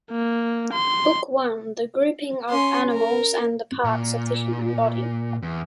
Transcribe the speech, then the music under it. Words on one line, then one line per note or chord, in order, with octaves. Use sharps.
Book One The grouping of animals and the parts of the human body.
A#3
C6
C#4 C6
A#4
A#2
E2